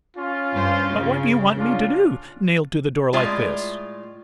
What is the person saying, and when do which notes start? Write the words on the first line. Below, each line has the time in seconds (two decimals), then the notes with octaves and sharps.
"But what do you want me to do, nailed to the door like this?"
0.17 C#4 F4
0.55 G2 C5
0.89 C#3
1.59 C#4 D4 F4
3.13 A2 G#3 F4 D5